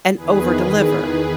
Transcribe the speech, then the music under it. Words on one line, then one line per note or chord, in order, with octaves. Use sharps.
and overdeliver.
E2 D#3 G#4 B4